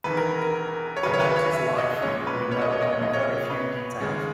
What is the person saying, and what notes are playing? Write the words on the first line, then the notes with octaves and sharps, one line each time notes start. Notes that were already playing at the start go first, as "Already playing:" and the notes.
About his life we know only very few details.
E1 E2 D#3 B4
A#4
A#4
C#5
D#2 C#3 F#3 B4
C#5
B4
C#5
E5
D#5
A#1 A#2 G#3 C#4 C#5
B4
C#5
D#5
C#5
D#5
C#5
A#1 A#2 A#3 C#4 D#5
C#5
B4
D#2 C#3 G#3 C#4